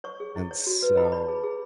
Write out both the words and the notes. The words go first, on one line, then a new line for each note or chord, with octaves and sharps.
And so,
C#5 C#6
G#4
E4
C#5
F#4
B4
E4 B5
A5
C#5 B5
G#4
G#4